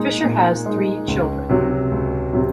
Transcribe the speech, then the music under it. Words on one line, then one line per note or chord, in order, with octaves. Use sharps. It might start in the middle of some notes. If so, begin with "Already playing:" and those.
Fisher has three children.
Already playing: A#2 G#3 D#4
A#2
G#3 D#4
C#2
C3 F#3
C#2
C3 F#3